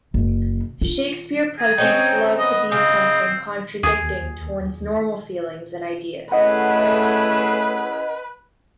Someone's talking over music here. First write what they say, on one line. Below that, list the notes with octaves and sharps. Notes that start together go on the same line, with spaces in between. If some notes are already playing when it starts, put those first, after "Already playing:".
Shakespeare presents love to be something contradicting to one's normal feelings and ideas.
F#1
F4
G#4
C4 C#4 D#4 G5
B3 D#5
C#3 C4 D#5
D#2 G#4
A3 C#4 E4 G#4 B4 D#5 F#5